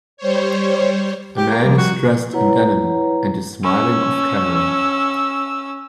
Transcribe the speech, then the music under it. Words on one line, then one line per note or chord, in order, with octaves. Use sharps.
A man is dressed in denim and is smiling offcamera.
G3 C5 C#5
G4
A#3
F3 G3
F#4
E4 B4 C#5 F#5 A#5
C#4 E6